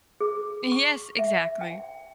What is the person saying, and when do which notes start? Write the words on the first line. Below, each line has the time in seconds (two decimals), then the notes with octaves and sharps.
Yes, exactly.
0.21 G#4
0.72 C#6
1.19 E5
1.61 G5